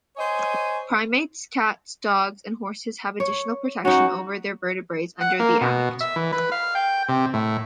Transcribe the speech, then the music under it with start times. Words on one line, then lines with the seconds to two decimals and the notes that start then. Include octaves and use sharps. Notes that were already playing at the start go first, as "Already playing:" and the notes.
Primates, cats, dogs and horses had additional protection over other vertebrates under the Act.
0.17 C5 C#5 D#5 G#5
3.20 C#5
3.85 C#4 D#4 F#4
5.21 F#5
5.39 A#3
5.61 B2
6.01 E5
6.16 E3
6.33 B4
6.52 F5
6.75 G5
7.08 C3
7.34 A2